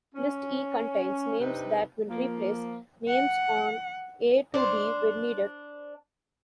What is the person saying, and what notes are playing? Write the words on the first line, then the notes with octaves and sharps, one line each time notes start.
List E contains names that will replace names on A-D when needed.
C#4
C3 C4 D4 D#4 B4
F3 A#3
F#5
D4 C5